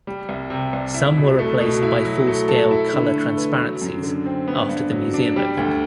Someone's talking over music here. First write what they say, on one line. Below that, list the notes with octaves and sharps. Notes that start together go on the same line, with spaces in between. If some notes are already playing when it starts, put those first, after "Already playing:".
Some were replaced by full-scale color transparencies after the museum opened.
G3
C2
C3
C2
E4
B2
A3
B2
E4
F#3
A3
A4
E4
D3
A3
B4
F#3
F#2
D3
C4
B3
G2
F#3
D4
G3
D2